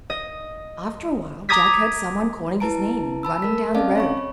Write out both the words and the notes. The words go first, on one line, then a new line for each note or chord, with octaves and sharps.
After a while Jack heard some one calling his name and running down the road.
D#5
A#5 D6 D#6 G#6 A#6 B6
E4 B4 A5 A#5 D7
A5 B5 E6
A#4 B6
C4 C#4 D5 D#5 F5 A5
C#5 B5 C#6